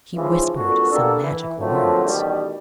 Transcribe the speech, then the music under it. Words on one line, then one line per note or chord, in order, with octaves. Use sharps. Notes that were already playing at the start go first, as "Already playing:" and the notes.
She whispered some magical words.
G#2 C#3 E3 F3
C2 G2 A#2 F#3 F#4 A4
A#3 B3 D4 G4 A4
E3
D3 F3 F#3 A3 A#3 C4
A1 B2 D#3 G3